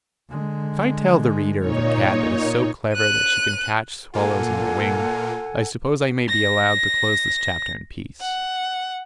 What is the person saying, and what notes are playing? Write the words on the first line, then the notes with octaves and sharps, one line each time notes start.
If I tell the reader of a cat that is so clever that she can catch swallows on the wing, I suppose I may be allowed to close this chapter in peace.
D3 G#3
A#2 D#4 C#5
F#6 D#7
A#2 A#3 F4 A4 F#5 G#5
A#6
F#5